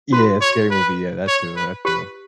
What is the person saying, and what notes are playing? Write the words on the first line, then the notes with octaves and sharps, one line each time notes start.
Yeah, scary movie, yeah, that too that too.
F#4 B4
C#5
B4
C#5
B4
G4 B4